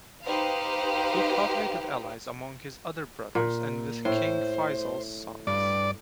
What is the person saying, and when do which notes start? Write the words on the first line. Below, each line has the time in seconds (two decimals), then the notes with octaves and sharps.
He cultivated allies among his other brothers and with King Faisal's sons.
0.23 D#4 G4 B4 C5 F5
3.35 A#2
4.05 A2 C5
5.47 G2 D5